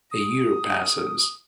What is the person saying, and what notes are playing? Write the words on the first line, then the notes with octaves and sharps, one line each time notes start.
A year passes.
D#6